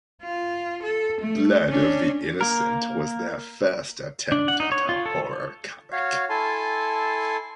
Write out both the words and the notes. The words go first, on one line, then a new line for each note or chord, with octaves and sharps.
"Blood of the Innocent" was their first attempt at a horror comic.
F4
A4
A3
C#4 D4
A#3 A#4
D4
F#5
D#4
C#5
F4
A4
F#4 C#5 F5
E4 A4 G#5 A5 C6